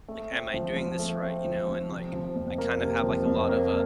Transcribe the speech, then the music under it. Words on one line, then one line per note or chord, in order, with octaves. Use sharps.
like, "Am I doing this right," you know, and, like, I kind of have, like, uh, lot of
A3
C4
F3
F3
A3
C4
F3
F3
C3
F3
F2
A#3
C3
F3
F2
A#3